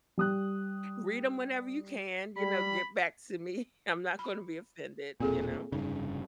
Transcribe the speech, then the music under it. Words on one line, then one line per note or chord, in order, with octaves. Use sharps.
Read 'em whenever you can, you know, get back to me. I'm not gonna be offended," you know.
G3 D#6 F#6
G3 B5
B5
E1 A#2 C4 G#4 A4
F1 G2 C#3 D#4